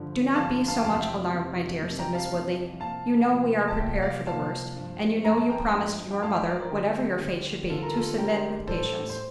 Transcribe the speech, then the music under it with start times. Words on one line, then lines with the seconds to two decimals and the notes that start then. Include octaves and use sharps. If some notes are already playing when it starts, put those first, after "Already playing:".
"Do not be so much alarmed, my dear," said Miss Woodley; "you know we are prepared for the worst; and you know you promised your mother, whatever your fate should be, to submit with patience."
Already playing: G2 D3 F3
0.35 G2 D3 F3 F5 A5
0.68 F5 A5
0.76 G5
0.84 F2 C3 E3 G3 F5 A5
0.96 F5
1.01 E5 G5
1.34 F2 C3 E3 G3
1.82 F2 C3 E3 G3
1.99 G5 A#5
2.15 F5 A5
2.31 F2 C3 E3 G3
2.80 C2 A#2 F3 F5 A5
3.29 C2 A#2 F3
3.68 A5
3.78 C2 A#2 F3 E5 G5
4.02 D5 F5
4.27 C2 A#2 F3 F5 A5
4.76 G2 F3
5.24 G2 F3 A#5
5.37 A5
5.50 G5 A#5
5.74 G2 F3
6.11 G5
6.22 G2 F3 F5 A5
6.35 E5 G5
6.47 D5 F5
6.59 A#4 D5
6.72 D2 D3 G3 G4
7.21 D2 D3 G3
7.70 D2 D3 G3 F4 A4
7.82 A#4
7.94 F4 A4
8.18 D2 D3 G3 G4 A#4
8.67 A2 E3 G3 A4 C5
9.10 C5